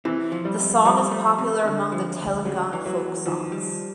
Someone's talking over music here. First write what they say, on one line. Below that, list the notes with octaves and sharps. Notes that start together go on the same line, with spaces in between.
The song is popular among the Telangana folk songs.
C3 E3
F3
G3
F2
F3 G3
A3
C3
D3
F3
D2
C#3 F#3
E3
F#3
E2
D#3 F3
G3